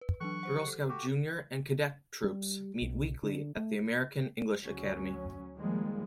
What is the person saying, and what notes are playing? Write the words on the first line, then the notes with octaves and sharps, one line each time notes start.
Girl Scout Junior and Cadette Troops meet weekly at the American English Academy.
B4
E3 F#3 D4 C#6 F#6
G4 C5 F#5
A4
F#4 G4
G3
B1
D3
A3
D2 F#3 C#4
D#3 F3 G3 G#3 A#3